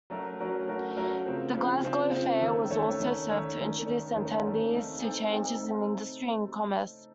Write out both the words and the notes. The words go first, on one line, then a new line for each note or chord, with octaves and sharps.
The Glasgow Fair also served to introduce attendees to changes in industry and commerce.
F#3 A3 C#4 F#4 A#4
F#3 A3 C#4 F#4 A#4
F#3 A3 C#4 F#4 A#4
F#3 A3 C#4 F#4 A#4
C#3 F3 C4
C#3 F3 C4
C#3 F3 C4
C#3 F3 C4
D#3 A3 C#4 A4 C#5
D#3 A3 C#4 A4 C#5
D#3 A3 C#4 A4 C#5
D#3 A3 C#4 A4 C#5
D#3 A3 C#4
D#3 A3 C#4
D#3 A3 C#4
D#3 A3 C#4
A3 C4 D#4 A4
A3 C4 D#4 A4
A3 C4 D#4 A4
A3 C4 D#4 A4